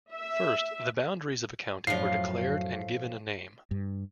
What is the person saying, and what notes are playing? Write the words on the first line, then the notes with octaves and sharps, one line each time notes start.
First the boundaries of a county were declared and given a name.
E5
F#2 A2 F3 F5 C7
G2